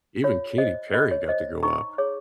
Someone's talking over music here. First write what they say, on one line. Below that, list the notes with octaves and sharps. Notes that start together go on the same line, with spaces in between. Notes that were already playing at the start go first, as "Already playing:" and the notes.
Even Katy Perry got to go up,
F4 C#5
C5 D#5
F4 D#5
C#5
C5 D#5
D#4 A#5 C#6
G#4 C#5